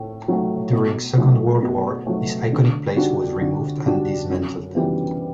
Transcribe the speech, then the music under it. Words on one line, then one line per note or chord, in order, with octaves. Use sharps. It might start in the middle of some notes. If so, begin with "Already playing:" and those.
During Second World War, this iconic place was removed and dismantled.
Already playing: A2 A3
F#3 A3
B2
F#3 A3
B2
F#3 A3
D3
G3 D4 F#4
D3
G3 D4 F#4
F#2
E3 G3 B3